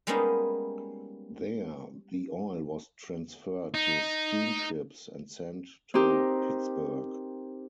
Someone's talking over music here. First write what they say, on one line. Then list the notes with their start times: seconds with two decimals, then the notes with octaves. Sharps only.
There the oil was transferred to steamships and sent to Pittsburgh.
0.07 G3 G#3 A#3 B3 C#4 D#4
3.74 D#4
5.94 C4 D#4 G4 A#4